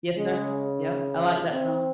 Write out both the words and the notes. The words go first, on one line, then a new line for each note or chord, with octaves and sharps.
Yes, sir, yep, I like that song.
C#3 G#3
C4